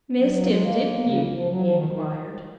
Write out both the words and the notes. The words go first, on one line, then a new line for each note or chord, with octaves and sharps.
"Missed him--didn't you?" he inquired.
F#3
F#3
A#3
G#3
A#3
C#3
F3
F#3
F3
D#3
D#3